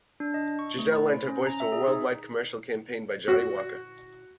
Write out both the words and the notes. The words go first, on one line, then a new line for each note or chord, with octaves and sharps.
Gisele lent her voice to a worldwide commercial campaign by Johnnie Walker.
D4
D#5
C#6
A3
E4
C5
C#4
A#5
E5
G#4
D#4
F#4